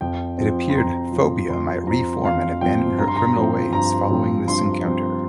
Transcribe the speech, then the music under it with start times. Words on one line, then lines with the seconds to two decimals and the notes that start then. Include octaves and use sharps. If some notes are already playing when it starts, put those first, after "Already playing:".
It appeared Phobia might reform and abandon her criminal ways following this encounter.
0.01 F2 G5
0.38 F3 C4
0.69 C6
0.75 F2 A#5
1.12 F3 C4
1.50 F2 C6
1.87 F3 C4 A#5
2.24 F2 F5
2.61 F3 C4 G5
2.98 G2 A#5
3.08 C6
3.16 A#5
3.36 F3 C4
3.73 G2 A#5
4.10 F3 C4
4.48 G2 C6
4.85 F3 C4